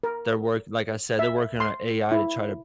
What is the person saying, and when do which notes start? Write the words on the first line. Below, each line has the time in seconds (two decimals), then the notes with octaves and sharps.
their work like I said, they're working on AI to try to
0.03 A#4
1.19 E5
1.60 C6
2.12 E4